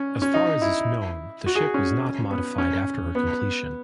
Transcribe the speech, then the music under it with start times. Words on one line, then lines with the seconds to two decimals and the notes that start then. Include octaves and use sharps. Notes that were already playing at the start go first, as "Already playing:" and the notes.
As far as is known the ship was not modified after her completion.
Already playing: C#4
0.22 C#4
0.34 D#4
0.62 E4
1.46 F#4
1.55 G#4
1.74 C#4
2.30 B3
2.58 C#4
3.15 B3